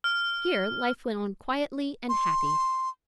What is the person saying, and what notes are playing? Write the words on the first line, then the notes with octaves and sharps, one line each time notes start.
Here life went on quietly and happy.
F6
C6